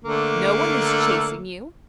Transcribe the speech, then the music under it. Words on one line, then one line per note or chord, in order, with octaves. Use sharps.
No one is chasing you.
D3 A3 A#3